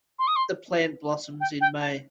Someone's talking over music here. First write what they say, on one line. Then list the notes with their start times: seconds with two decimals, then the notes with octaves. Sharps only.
The plant blossoms in May.
0.19 C6
0.27 D#6
0.36 C6
1.40 G5
1.61 G5
1.81 A5